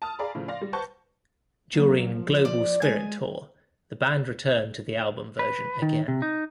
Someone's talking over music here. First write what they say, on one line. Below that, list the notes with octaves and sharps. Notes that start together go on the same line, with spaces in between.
During "Global Spirit Tour" the band returned to the album version again.
A5 D#6 F6
G#4 D5 F5 A#5 B5
A2 C#3 F3
D5 F5 C6 A#6
G3
B4 C5 F#5 A5 C#6 G6
E3 F#3 A#3
F3
D5
G#3 G#5
B4
D#3
C3
D#4